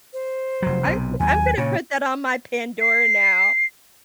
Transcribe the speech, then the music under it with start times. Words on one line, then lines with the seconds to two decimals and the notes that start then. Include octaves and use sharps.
I'm I'm gonna put that on my Pandora now.
0.13 C5
0.62 F1 F#3
0.84 B1 C3
1.20 D#2 F#3 G#5
1.57 A#2 C#3 C#5
2.81 C7